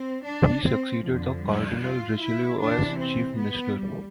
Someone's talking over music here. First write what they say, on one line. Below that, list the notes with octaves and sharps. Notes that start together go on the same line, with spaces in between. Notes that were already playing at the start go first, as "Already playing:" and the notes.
He succeeded the Cardinal Richelieu as Chief Minister.
Already playing: C4
D4
C4
F2 D3 F3
G3
F4
E4
E2 C3 E3 D4
C4
B3
G3